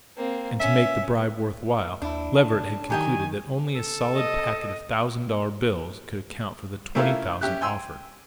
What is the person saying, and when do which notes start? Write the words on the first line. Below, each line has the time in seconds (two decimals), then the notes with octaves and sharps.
And, to make the bribe worth while, Leverett had concluded that only a solid packet of thousand-dollar bills could account for the twenty thousand offered.
0.17 A#3 C4
0.60 C#4 E5
2.02 D#2 D4 E4
2.35 A5
2.90 D#3 F#3 G4 D#5 G#5
3.75 A4
4.16 D#5
6.95 A3 A#3 C#4 E4 F4
7.41 C#4 G4 E5 F#6
7.61 G5 G#5 C6 E6